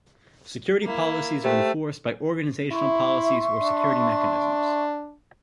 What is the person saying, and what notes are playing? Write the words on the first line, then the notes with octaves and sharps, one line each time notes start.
Security policies are enforced by organizational policies or security mechanisms.
A#3 E4
A3 G4 C5 G5
E4 E5 C6 C#6
D4